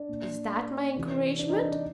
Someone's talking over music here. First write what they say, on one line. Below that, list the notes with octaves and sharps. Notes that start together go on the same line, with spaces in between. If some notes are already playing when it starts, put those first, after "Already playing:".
Is that my encouragement?'
Already playing: D4
A#2
C3 E3
D4
D#4
D#4
D4